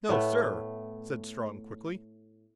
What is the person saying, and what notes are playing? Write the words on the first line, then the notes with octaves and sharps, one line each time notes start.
"No, sir!" said Strong quickly.
A2 A3 B3